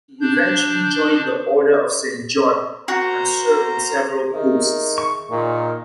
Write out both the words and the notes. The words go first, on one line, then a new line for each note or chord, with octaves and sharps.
He eventually joined the Order of Saint John, and served in several posts.
D4 G6
F#4 A#4 C5 A#5
D#3 G#4 E5
C#6
A#2 D#3